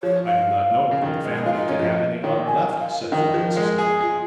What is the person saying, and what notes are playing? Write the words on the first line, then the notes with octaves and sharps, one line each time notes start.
"I do not know that the family can have any honor left," said Florence, severely.
F3 C#5
F5
C#3
D#3
G#3
G#4 D#5
F4 F5
D#4 D#5
C#4
F3
D#3 C#5
G#5
G#5
F5
F5
F4
D#3 A#4
F3
G#3
G#4
F4 G#4